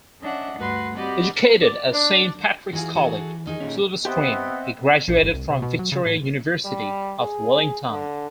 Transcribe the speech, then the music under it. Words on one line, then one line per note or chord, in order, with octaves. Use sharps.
Educated at Saint Patrick's College, Silverstream, he graduated from Victoria University of Wellington.
C#4 D4 D#5 E5 F#5
D2 G2 F#4 B4 C6
C4 F#4 G4 D5 D#5 B5
D5
D4
E3 F#4 G#4 F5
F#4 G#4 A4
D#3 D#4 G#4
A#2 C#4
B3 C4 G4 C5 D#5 E5 F#5
A#1
G1
C2
C3
B2
F#3
C#3
A2
G3
G#4
D3